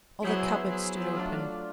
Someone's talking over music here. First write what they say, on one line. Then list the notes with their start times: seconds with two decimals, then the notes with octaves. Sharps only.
All the cupboards stood open.
0.23 F#3 B3 E4 G#4 C5 E5
0.69 F#3
1.17 A3 D4 F4